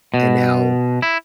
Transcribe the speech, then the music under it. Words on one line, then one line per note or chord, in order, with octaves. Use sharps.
and now
B2
E4